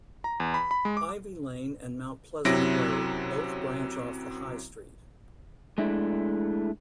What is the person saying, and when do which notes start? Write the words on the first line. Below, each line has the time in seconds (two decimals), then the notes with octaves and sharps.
Ivy Lane and Mount Pleasant Road both branch off the High Street.
0.24 A#5
0.40 E2
0.54 B5
0.71 B5
0.85 G#3
0.97 D6
2.45 F#2 C3 F#3 E4 A#6 D7
5.78 G#3 A3 D4 E4